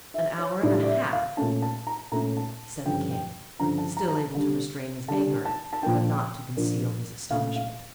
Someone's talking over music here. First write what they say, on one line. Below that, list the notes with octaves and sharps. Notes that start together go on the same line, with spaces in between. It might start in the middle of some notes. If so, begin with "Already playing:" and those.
"An hour and a half!" said the king, still able to restrain his anger, but not to conceal his astonishment.
E5
C#5
A2 G3 D4 D5
D5
E5
F5
A#2 A3 C#4 A5
A5
A#5
A#2 A3 C#4 A#5
A5
G2 D3 F3 C#4 G5
G5
G2 D3 F3 C#4 A#5
A5
A#5
A#5
A5
D3 G3 D4
D3 G3 D4 A5
A5
A5
A#2 F3 A#3 D4 G5
A#2 F3 A#3 D4
A#2 A3 C#4 F5
F5